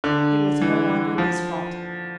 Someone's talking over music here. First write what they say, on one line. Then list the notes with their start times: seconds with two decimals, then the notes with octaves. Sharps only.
It was no longer his fault.
0.04 D3
0.62 E3
1.18 F3